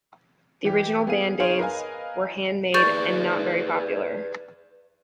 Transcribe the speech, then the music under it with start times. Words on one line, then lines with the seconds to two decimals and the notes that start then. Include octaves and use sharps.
The original Band-Aids were handmade and not very popular.
0.65 E3 G4
1.07 B3 G#4 F5 D#7
1.40 D#4 G#4 C5 C#5 F5 C#6
1.59 A#4 B4 D#5 F5 G#5
2.74 G#4 B4 D5 C#6 G6 A6